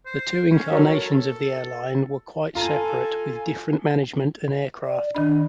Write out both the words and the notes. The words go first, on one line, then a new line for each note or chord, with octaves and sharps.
The two incarnations of the airline were quite separate with different management and aircraft.
C5
C#4
F#4 A4 A#4 C#5
F4 A4 G#5 A#5 D#7
D5
D#3 D4 D#5 B5